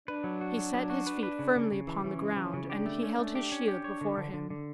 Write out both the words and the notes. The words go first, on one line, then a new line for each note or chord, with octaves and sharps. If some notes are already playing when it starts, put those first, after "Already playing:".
He set his feet firmly upon the ground and he held his shield before him.
D4 B4
F#3
F#4
F#3
F#3
F#4
B4
B4
C#3
C#3
C#3
E3
E3 C#4
C#3
E3
C#3
D4 G4
A3
C#4
A3
G4
C#4
G4
C#5
D3
D3
D3
D3